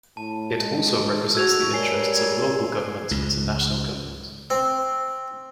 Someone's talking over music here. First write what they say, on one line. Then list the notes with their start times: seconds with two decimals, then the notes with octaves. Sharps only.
It also represents the interests of local government to national government.
0.17 A2 A5
0.56 G#3
1.35 F#4 E6 G#6 F7
1.73 G3 G#3 A#4 C#5 G#5 C7 G7
3.11 C#2
4.50 C4